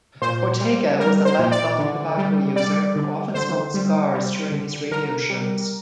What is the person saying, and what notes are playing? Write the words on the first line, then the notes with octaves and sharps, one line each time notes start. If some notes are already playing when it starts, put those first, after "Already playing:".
Ortega was a lifelong tobacco user who often smoked cigars during his radio shows.
A#2 C5
G3
G3 A#4
C5
A#2
D5
D3
G3
G3 D5
D3
D3 C5
G3
G3
D3
D3 A#4
G3